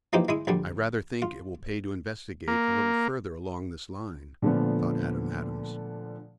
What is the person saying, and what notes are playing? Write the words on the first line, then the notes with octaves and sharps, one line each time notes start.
"I rather think it will pay to investigate a little further along this line," thought Adam Adams.
E3 F3 A#3 D#4 G4
G#3 E4 D#6
A#1 D3 G3
F4
A#3
A#2 D3 F3 A3 B3